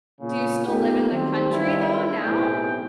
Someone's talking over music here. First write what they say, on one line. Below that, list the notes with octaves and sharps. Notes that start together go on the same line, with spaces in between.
Do you still live in the country though, now?
A#2 C#3
A3 B3 D#4 F4 G4
D#3 F#3 G3 C4
G#1 G2 E4
B1 A2 C3 E3 G#4 G5